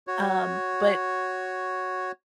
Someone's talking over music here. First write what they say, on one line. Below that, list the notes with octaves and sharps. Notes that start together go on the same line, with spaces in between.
Um, but
F#4 C#5